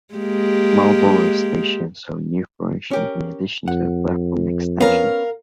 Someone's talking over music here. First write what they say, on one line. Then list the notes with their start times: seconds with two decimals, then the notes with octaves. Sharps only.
Marlborough station saw new furnishings in addition to a platform extension.
0.15 G#3 A#3 G4
2.91 C#4 G4 A#4
3.68 F2 F#5
4.80 B3 C#4 A#4 B4 F5